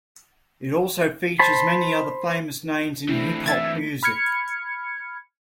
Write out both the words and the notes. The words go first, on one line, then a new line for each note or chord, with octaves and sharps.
It also features many other famous names in hip hop music.
C5 A5 B5
E3 A3 C4 D4 E4
E5 G#6 A6
B5 F6 G#6 C#7